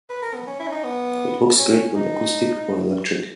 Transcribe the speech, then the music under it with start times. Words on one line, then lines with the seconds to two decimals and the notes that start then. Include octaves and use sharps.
It works great on acoustic or electric.
0.10 B4
0.23 A#4
0.34 B3
0.47 C#4
0.60 E4
0.68 C#4
0.72 D#4
0.84 B3
1.59 C#4
1.96 D#4